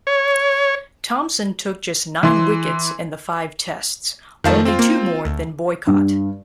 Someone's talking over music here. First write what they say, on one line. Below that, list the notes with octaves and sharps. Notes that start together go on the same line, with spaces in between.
Thomson took just nine wickets in the five Tests, only two more than Boycott.
C#5
E3 C6
F2 D#3 F3 A3 F5 A5
C4 F4
A#3
D2
G2